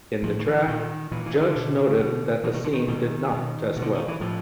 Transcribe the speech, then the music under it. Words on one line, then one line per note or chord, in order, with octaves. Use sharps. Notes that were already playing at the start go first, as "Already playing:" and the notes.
In the track, Judge noted that the scene did not test well.
A2 F3
D#3
E3
A#2 D#3
A#2 E3
E3
D3
B2
B2
B2 E3
D#3
D3
D#3
B2 D#3
B2
B2
D3
D#3
E3
A2 F3